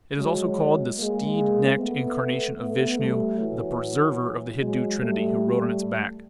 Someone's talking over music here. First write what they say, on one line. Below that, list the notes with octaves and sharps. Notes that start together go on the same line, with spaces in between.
It is also called "the steed-necked incarnation of Vishnu", the "Preserver" of the Hindu trinity who rode on its back.
F#3 G#3
G#3 A#3
A3 B3
A3 B3
G3 A3
E3 F#3
F#3 G#3
G3 A3